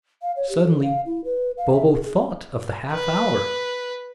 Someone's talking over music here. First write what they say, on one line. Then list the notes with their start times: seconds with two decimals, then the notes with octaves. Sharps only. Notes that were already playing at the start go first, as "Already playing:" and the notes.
Suddenly Bobo thought of the half-hour.
0.22 F5
0.36 C#5
0.49 G4
0.63 A4
0.83 F5
1.05 E4
1.25 B4
1.58 F5
1.72 E5
1.85 G#4
2.05 G#4
2.92 B4